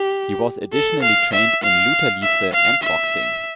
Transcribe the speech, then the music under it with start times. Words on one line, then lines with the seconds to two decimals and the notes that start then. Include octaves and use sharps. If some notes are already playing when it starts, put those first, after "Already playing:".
He was additionally trained in Luta Livre and Boxing.
Already playing: G4
0.73 A4
1.02 F5
1.33 E5
1.63 F5
2.23 E5
2.53 F5
2.83 E5